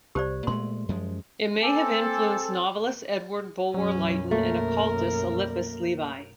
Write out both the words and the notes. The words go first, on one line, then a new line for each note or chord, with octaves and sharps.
It may have influenced novelist Edward Bulwer-Lytton and occultist Eliphas Levi.
C2 G4 C5 D5
A#2 G#3 A3 C6
F#2 F3 G#3
C4 A4 G#5 A5 D6
B1 F#2 F#3 C#4
A3 A#3 A#4